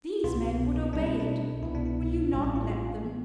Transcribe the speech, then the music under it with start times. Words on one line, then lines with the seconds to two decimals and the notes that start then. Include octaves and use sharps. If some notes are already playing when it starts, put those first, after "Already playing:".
These men would obey it. Will you not let them?
0.24 C2 B2 B3 F4
0.93 B1 B2 G3 C4 D4
1.06 E4
1.20 D4
1.63 C2 B2 B3 E4
1.75 D4
1.86 E4
2.32 A1 A2 G3 C4 F4
2.45 D4
2.56 E4
2.67 F4
3.04 E3 B3